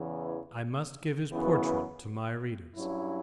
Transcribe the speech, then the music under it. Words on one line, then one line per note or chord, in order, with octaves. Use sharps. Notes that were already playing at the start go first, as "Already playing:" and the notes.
I must give his portrait to my readers.
Already playing: E2 C#3 E3
F#2 C#3 E3 B3
G2 F#3 C#4 E4